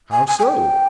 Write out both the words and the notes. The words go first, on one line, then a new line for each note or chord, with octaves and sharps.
"How so?"
G#5
G#5
G#5
G5